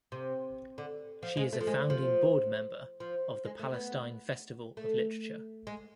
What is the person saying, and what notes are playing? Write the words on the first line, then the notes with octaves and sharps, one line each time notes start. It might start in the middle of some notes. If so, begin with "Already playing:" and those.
She is a founding board member of the Palestine Festival of Literature.
C3
D3
F3
G#3
A3
F3
G#3
F3
F3
G#3
A3
B3
A3
G#3